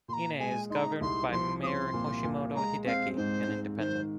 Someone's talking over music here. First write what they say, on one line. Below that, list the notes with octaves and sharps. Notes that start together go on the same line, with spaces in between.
Ine is governed by mayor Yoshimoto Hideki, an independent.
A#2 A#5 C6
G#3 G#5
D#4 A#5 C6
C2 C6
F3 C6
C4 C6 D#6
A#2
A#2
G#3 A#5
C4 F5
G#2 C5
G#2
D#3 C5